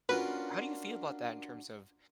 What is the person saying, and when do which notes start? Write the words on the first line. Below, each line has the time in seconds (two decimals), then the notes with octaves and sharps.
how do you feel about that in terms of
0.09 A#3 C#4 D4 F4 F#4 B4